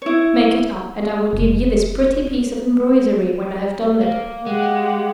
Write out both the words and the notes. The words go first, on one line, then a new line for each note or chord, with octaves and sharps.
Make it up; and I will give you this pretty piece of embroidery when I have done it.
E4 C#5
F1
A#3 F5
G#3 G4 F#5